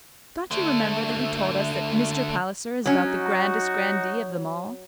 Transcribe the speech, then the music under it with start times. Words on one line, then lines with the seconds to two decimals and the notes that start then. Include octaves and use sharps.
Don't you remember that he told us that Mr. Palliser is about the grandest grandee of them all.
0.51 D3 A3
2.86 F#3 C#4 D#4 F#4